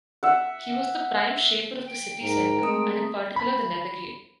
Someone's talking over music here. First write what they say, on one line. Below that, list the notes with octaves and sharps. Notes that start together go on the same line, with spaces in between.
He was the prime shaper of the city centre and in particular the Nethergate.
E5 F#5
G5
G#2 A#4
G#3 A3 C4 D#6
B5